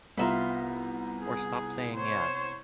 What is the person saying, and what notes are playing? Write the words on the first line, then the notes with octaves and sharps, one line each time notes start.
Or stop saying yes.
C2 B3 F4 E5 A#5 B5
G#4
C5 C#5